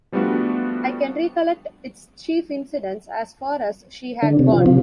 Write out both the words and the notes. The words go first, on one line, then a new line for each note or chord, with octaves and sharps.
I can recollect its chief incidents, as far as she had gone.
F3 G3 A3 B3 D4 F#4
D3
C3
F3
C3